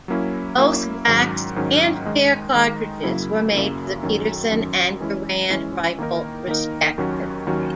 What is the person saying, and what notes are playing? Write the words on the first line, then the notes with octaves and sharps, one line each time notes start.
Both waxed and bare cartridges were made for the Pedersen and Garand rifle respectively.
F#3 A#3 C#4 E4
F#3 A#3 C#4 E4
G#2 D#3 F#3 C#4
G#2 D#3 F#3 C#4
D#3 G#3 D#4
D#3 G#3 D#4
F#2 C#3 F#3 A#3 E4
F#2 C#3 F#3 A#3 E4
F#2 D#3 F#3 C#4
F#2 D#3 F#3 C#4
E3 G#3 C#4 E4
E3 G#3 C#4 E4
D#3 A#3 D#4 A#4
D#3 A#3 D#4 A#4
D#2 D#3 F#3 C#4 F#4
D#2 D#3 F#3 C#4 F#4